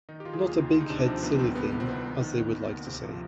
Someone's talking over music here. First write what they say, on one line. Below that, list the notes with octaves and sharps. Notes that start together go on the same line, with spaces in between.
Not a big-head silly thing, as they would like to say.
D#3 D#4
G4
D#3 F4
G#4
D#2 G4
D#2 D#4
D2
D#4
C3 D4
F3 C4
D2 B3
C2 C4
C3 B3
D#3 B3
C4
C2 B3
D#3
D#3
D#2
D#2
D2
C3
F3